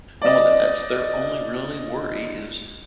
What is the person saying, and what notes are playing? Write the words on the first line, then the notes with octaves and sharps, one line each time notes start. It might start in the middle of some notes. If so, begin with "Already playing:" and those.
knowing that that's their only really worry is
D5 D#5